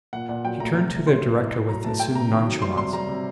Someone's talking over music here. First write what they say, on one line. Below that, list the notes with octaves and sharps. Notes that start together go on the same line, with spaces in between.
He turned to the director with assumed nonchalance.
A#2 F#5
A#2 F#5
F#3 G5
A3 A#5
C3
C3
F#3 C6
A3
A2
A2
F#3 A#5
A3 A5
A3 G5
C3 A#5
D#3
F#3
G3 C6
C3 C6
G3 A#5
C3